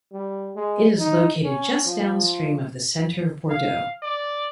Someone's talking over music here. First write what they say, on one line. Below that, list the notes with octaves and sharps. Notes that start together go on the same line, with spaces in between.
It is located just downstream of the centre of Bordeaux.
G3
G#3
D#4
C#4
F3
F5
D5